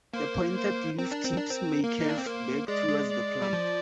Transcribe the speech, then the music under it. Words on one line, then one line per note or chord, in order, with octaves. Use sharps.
The pointed leaf tips may curve back towards the plant.
A#3 C5
C5
C4 A#4
D4
C4
D4
C4
A#3
D#4
D4
C4
A#3 C5
G#3 D5
G#3
D5
G3
F3